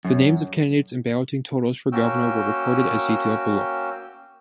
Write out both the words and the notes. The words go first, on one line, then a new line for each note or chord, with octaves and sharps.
The names of candidates and balloting totals for governor were recorded as detailed below.
F#2
A#3 C#4 F#4 G5 E6